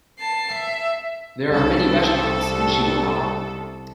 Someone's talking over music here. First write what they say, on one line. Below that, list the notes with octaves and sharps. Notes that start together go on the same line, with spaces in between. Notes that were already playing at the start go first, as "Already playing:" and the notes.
There are many restaurants in Shimokawa.
A5 C7
E5
C2 A4